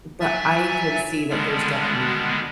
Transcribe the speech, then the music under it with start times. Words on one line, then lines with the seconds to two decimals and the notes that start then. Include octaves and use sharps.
but I can see that there's definitely,
0.20 F#3 E5 G#5 A6
1.29 D3 D#3 G3 G#3 B3 D4